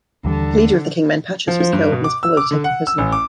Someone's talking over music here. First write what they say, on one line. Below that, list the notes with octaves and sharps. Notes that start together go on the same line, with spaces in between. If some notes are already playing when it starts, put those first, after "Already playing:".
The leader of the king-men, Pachus, was killed and his followers were taken prisoner.
D#2 D3 E3 G3
F3
F3
G2
B2
D6
E6
D6
D3
F#5
E6
A1
D6